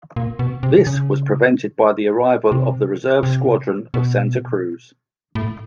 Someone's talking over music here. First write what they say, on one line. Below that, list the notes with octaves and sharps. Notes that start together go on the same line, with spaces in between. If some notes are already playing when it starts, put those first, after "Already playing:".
This was prevented by the arrival of the reserve squadron of Santa Cruz.
A#2
B2
C3
C#3
C3
C3
B2
A2